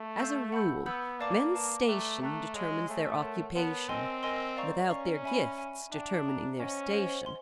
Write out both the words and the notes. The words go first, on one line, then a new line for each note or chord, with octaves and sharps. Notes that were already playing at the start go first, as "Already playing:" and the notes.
As a rule, men's station determines their occupation without their gifts determining their station.
Already playing: A3
F5 A5 C#6 E6 G6
F#5 B5 E6 G6
B3 F#5 B5 E6 G6
A#3 B4 D5 F5 A5 D6
B4 D5 F5 A5 D6
A3 E5 G5 A#5 D6 F#6
A3 E5 G5 A#5 D6 F#6
G#3 C#5 F5 G#5 C#6 E6
A3 C#5 F5 G#5 C#6 E6
A#4 C#5 F#5 A5 C6
B3 A#4 C#5 F#5 A5 C6
C4 A#4 D#5 G#5 C6 E6
A#4 D#5 G#5 C6 E6
D5 F5 A#5 C#6
C#4 D5 F5 A#5 C#6
E5 G#5 B5
E5 G#5 B5
D4 E5 G5 A#5
E5 G5 A#5
C#4 C5 D#5 F#5
C5 D#5 F#5
C6